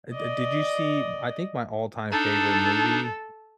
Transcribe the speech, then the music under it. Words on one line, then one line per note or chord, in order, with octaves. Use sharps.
uh, di did you see I think my all-time favorite movie,
D5 D#5
D4 D#4 A4